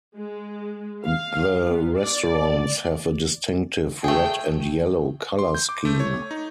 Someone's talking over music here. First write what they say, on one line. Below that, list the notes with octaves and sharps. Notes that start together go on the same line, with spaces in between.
The restaurants have a distinctive red-and-yellow color scheme.
G#3
F5
B3
D5
A3 G#4 G5
C6
G6
D6
A3
C#5
D#4